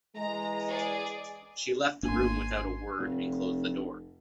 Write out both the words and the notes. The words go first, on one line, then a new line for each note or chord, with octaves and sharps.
She left the room without a word and closed the door.
E3 G#3 A#5
G#4 D5
G#1 A#3 D4 G#5 C6
F1